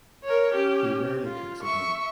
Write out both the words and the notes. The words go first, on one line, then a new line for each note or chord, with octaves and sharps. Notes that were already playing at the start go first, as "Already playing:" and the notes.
He rarely cooks at home.
A#4 C#5
C#4 G4
F4
E5 C#6